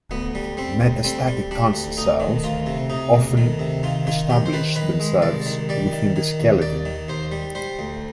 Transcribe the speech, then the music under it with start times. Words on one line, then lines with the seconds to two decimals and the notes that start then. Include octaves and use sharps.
Metastatic cancer cells often establish themselves within the skeleton.
0.11 D2 B3
0.35 G3
0.57 G3 C4
0.80 D2
1.04 G3 C4
1.28 G3
1.51 G3 D4
1.73 D2
1.97 D2 D#4
2.20 D#3
2.44 D2 F4
2.66 C3
2.90 C3 D#4
3.14 D2
3.37 D#3
3.59 C3
3.83 D#3 F4
4.07 D#3 F4
4.30 D#3 G4
4.46 C5
4.53 D#3 B4
4.76 D#3 B4
5.00 G#3
5.22 C2 D5
5.46 D#3
5.69 G3 D5
5.93 D#3
6.16 D#3
6.40 D#2
6.62 D#2 D5
6.85 D#3
7.08 D#2 C5
7.32 G3
7.55 G3 C5
7.79 D2